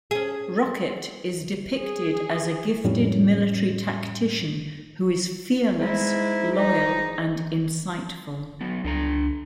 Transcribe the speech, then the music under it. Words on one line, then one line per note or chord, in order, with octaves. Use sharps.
Rocket is depicted as a gifted military tactician who is fearless, loyal, and insightful.
C#4 G#4
G#4
F2 A2 G3 C#4
G#2 G#3 E4
D#4
F#3 B3
C#2 D4 A4 A#5